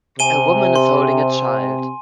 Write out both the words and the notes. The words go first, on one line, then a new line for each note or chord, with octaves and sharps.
A woman is holding a child.
C3 G#5 D#7 G7
C6